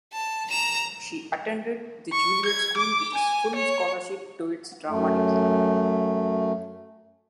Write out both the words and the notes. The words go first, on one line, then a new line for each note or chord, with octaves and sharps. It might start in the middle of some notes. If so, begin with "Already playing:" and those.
She attended the Juilliard School with a full scholarship to its drama division.
A5
A#5 E7
C#6
G#6
D6
G#5
C#5
F#2 A3